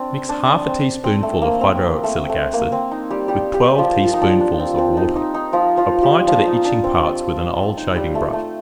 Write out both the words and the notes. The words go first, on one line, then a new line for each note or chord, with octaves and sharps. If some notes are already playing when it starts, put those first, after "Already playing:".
Mix half a teaspoonful of hydro-oxalic acid with twelve teaspoonfuls of water,--apply to the itching parts with an old shaving-brush.
Already playing: C4 D4
D4
C4
C4
A3
A#3
C4
A3
A3
A#3
C4
D#4
G3 G4
G3 G4
G3 G4
F3 F4
F3 F4
D#4
D4
D4
C4
C4
D#4
D#4
D#4
F3 F4
F3 F4
G3 G4
F3 F4
D#4
D4
C4
D#4
G3
A3
A3